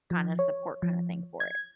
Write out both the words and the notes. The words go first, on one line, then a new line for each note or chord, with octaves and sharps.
kinda support kinda thing for it.
F3
C#5
F3
G#6